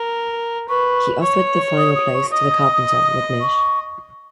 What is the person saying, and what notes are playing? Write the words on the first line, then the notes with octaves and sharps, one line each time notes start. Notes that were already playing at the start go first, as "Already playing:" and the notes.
He offered the final place to the carpenter, McNish.
Already playing: A#4
B4 C#6
C#5 C#6
D#6
D#6
C#6
D#5 D#6
C#6